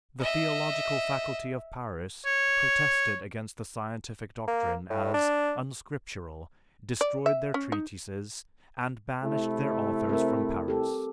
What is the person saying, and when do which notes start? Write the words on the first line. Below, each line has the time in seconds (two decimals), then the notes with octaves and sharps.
The theological faculty of Paris protested against the scientific doctrine as unscriptural, destroyed their treatises, and banished their authors from Paris.
0.20 D#5 E5
2.26 C#5
4.47 A#3
4.90 A2
5.14 D4
7.01 D5
7.26 E5
7.54 C#4
7.72 D#4
9.23 C3 A3 E4
10.09 C4 A#4
10.68 G4 A4